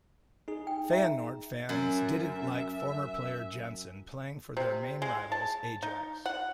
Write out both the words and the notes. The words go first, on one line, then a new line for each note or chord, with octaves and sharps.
Feyenoord fans didn't like former player Jansen playing for their main rivals Ajax.
D#4 G#4
G5
E5 A#5
F#2 E5
C3
G#3
A5
D#4
F#5